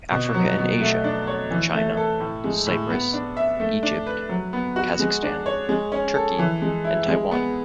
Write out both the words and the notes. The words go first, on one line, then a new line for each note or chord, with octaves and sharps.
Africa and Asia: China, Cyprus, Egypt, Kazakhstan, Turkey and Taiwan.
B2
F#3
B2
A3
D4
C#5
E3
A3
A4
A2
G#3
A2
B3
D4
E5
A3
D4
B4
F#3
B3
F#4
G#3
D4
C#5
G#3
C#4
A4
E3
G#3
E4
G#3
B3